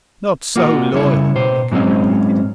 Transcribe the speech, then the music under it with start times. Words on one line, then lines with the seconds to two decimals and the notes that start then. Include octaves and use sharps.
"Not so loyal," Miko repeated.
0.56 A#3 F4 F#4
0.93 C#3 G3 E4 C#5
1.35 B2 C5
1.71 G#2 F#3 G#3 A#3 C4 C#4